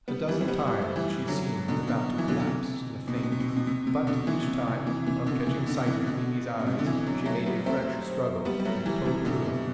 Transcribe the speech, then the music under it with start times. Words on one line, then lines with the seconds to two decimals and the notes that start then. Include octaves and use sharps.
A dozen times she seemed about to collapse in a faint, but each time, on catching sight of Mimi's eyes, she made a fresh struggle and pulled through.
0.08 G3 B3
0.28 E3 G3
0.41 C4
0.48 G3 B3
0.68 G3
0.82 A3
0.96 E3 G3
1.28 D3 F#3
1.68 B2 D3
1.87 B2 D3
2.18 E3
2.28 B2 D3
2.40 D3
2.47 C3
3.08 B2
3.15 C3
3.23 B2
3.32 C3
3.40 B2
3.48 C3
3.57 B2
3.67 C3
3.87 C3
4.07 B2 D3
4.27 C3 E3
4.47 C3
4.68 C3
4.87 C3 E3
5.06 C3 E3
5.27 B2 D3
5.47 C3 E3
5.67 B2 D3
5.86 C3 E3
6.06 B2 D3
6.59 B2
6.66 C3
6.79 D3
6.86 C3 E3
7.07 D3 F#3
7.26 F#3 A3
7.46 G3 B3
7.66 A3 C4
8.45 G3 B3
8.60 G3
8.65 F#3 A3
8.86 E3 G3
9.05 C3 E3
9.25 B2 D3
9.46 B2